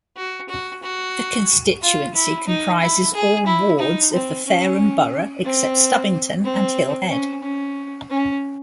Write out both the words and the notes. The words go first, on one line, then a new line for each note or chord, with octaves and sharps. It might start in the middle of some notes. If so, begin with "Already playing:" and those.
The constituency comprises all wards of the Fareham borough except Stubbington and Hill Head.
F#4
F#4
F#4
F4
E4
D#4
E4
G#4
E4
D#4
C4
C#4
C4
C4
C#4
C#4
C#4